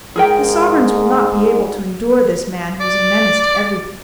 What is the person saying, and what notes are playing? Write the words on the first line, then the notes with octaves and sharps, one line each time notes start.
"The sovereigns will not be able to endure this man who is a menace to everything."
G#2 G#4 A#4 G5
D5